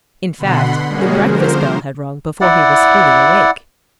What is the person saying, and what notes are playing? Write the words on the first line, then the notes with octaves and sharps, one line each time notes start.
In fact, the breakfast bell had rung before he was fully awake.
B2 D3 F#5 B5 C6
G3 G#3 A#3 C#4 F#4 G#4
D3 F3 A#4 C5
E4 D5 F#5